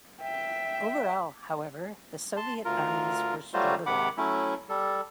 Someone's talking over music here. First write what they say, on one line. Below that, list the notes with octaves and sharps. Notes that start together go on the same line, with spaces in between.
Overall, however, the Soviet armies were struggling.
E5 G5
A5 C6
D2 F4 A#4
F#3 G3 A3 F4 F#4 C5
G#2 C3 D#3 F#5 B5 D6
F#3 A3 C#4 E4
G3 A4